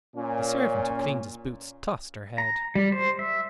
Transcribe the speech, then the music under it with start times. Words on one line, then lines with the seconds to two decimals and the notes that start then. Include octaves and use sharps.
The servant who cleaned his boots tossed her head.
0.16 A#2 C#4
2.38 A#5
2.75 G3
2.92 C5
3.19 E5